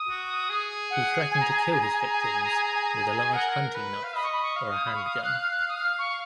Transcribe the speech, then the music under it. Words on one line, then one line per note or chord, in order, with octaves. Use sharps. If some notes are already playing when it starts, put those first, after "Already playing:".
He threatened to kill his victims with a large hunting knife or a handgun.
Already playing: D#6
F#4
G#4
F#5
G#5
A#5
G#5
A#5
G#4 G#5
A#5
G#5
A#5
G#5
A#5
G#5
A#5
G#5
A#5
G#5
A#5
G#5
A#5
G#5
A#4 F#5
A#4
B4
F5
D#5 B5
C#6
B5
C#6
F5
D#6
B5
C#6
D#6
F6
F#6
F6
F#6
D#6
F6
C#6